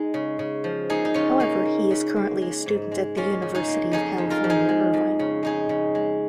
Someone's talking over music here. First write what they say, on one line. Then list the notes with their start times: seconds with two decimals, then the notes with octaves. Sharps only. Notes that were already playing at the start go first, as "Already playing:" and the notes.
However, he is currently a student at the University of California, Irvine.
Already playing: G#3 D#4 G#4
0.14 C#3
0.39 C#3
0.64 F3
0.90 A#3 D#4 G#4
1.05 D#4
1.14 C#3 C#4 F4
1.40 A#3 D#4
1.65 A#3
1.91 C#3
2.16 A#3
2.42 G#3
2.66 G#2
2.92 G#3
3.16 A#3 C#4 F4
3.42 C#3
3.55 D#4 G#4
3.68 A#3
3.91 F2 D#4 G#4
4.18 F2
4.30 F4 A#4
4.44 F3
4.50 D#4 G#4
4.69 G#3
4.94 F2
5.19 C#3
5.43 G#3 D#4 G#4
5.69 C#3
5.95 G#3